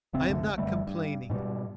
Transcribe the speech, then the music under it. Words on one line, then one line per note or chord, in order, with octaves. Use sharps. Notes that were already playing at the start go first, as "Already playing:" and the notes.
I am not complaining.
D1 C#3 C4
F#1 C2 D3 A3
F#1 D3 G3 A3
G2
G#2 B2 F#3 G3